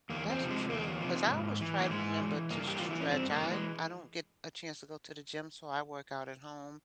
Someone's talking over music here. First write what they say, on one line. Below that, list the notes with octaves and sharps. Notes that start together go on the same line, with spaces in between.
That's true, 'cause I always try to remember to s s stretch. I I don't get a chance to go to the gym, so I work out at home,
E2 A#3
C4
C3 F3
G#3
E2 A#3
C3 F3
G#2
E3
A#3
G#2 G#3
E3
G2 A#3
G4
E3 F4
E4
C#4
G2 C4
A#3
E3
G#3